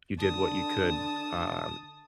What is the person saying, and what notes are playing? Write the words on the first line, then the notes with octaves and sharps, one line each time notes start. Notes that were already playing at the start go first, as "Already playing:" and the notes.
you did what you could, um,
D3 A5 D#6